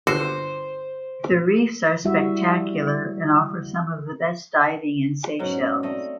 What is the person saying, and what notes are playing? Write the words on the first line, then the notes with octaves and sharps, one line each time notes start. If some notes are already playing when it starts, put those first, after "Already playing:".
The reefs are spectacular and offer some of the best diving in Seychelles.
G1 D3 F#4 C5
G3 E4 F#4 E5
G#2 B2 F#3 C#4
A3 C4 D5 D#5